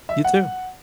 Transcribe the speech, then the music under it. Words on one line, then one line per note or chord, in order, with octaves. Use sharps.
You too.
E5
F#5